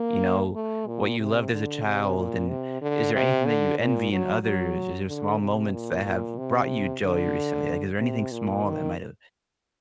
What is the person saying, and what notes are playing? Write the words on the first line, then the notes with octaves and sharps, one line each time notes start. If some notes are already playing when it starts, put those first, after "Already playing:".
you know, what you loved as a child, and is there anything that you envy in others? Is there small moments that have brought you joy recently? Like, is there anything small that might have,
Already playing: A#3
A3
A#2
C3
D3
C3
A#2
C3
D3
C3
D3
A#2
F#3
F#3
D3
C3
A#2
A#2
C3
D3
C3
A#2
D#3